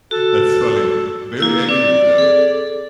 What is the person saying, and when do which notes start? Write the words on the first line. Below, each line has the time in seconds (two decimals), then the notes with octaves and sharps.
That's funny. Very accurate, though.
0.11 F#4 A4
1.40 A#3 E4 E6
1.69 C4 D5
2.18 G#4 A4